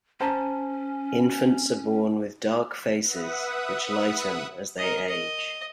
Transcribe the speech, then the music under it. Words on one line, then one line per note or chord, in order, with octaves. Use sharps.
Infants are born with dark faces, which lighten as they age.
C#4 C5 A5 A#5
B4 E5 F#5 D#6
A#4 D#5
D#5